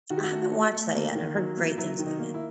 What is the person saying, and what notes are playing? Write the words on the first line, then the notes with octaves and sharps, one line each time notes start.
I haven't watched that yet, and I've heard great things about it.
D#3 F#4
G4
F#4
A3
A3
A3
A#3
D#3
F#3
A#3
F#3 E4
D#3
D#4
A#3
E4